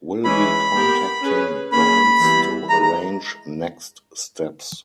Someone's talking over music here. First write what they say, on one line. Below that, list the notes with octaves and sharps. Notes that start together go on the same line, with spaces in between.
Will be contacting bands to arrange next steps.
E3 G#3 C#4 E4 B5
B3 G4 A#4
C#4 G#4 B4
A#3 C#4 G#4 B5
E3 G3 B3
E3 G#3 A#5
A#5